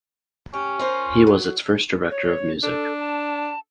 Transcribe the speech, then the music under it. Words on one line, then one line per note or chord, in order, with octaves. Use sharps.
He was its first director of music.
C#4 G4
F4 A#4 C5
F#3
C#5
D4 A4
A5